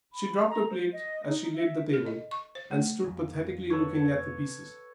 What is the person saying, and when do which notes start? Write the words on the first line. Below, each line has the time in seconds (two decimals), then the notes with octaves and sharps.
She dropped a plate as she laid the table, and stood pathetically looking at the pieces.
0.13 B5
0.49 A#5
0.70 C5
0.92 D#5
1.28 D#4
1.54 E5
1.93 A4
2.06 D#5
2.31 C#6
2.55 C5
2.71 A3
3.04 F2 A#2 D#3
3.70 A4 B4 C#5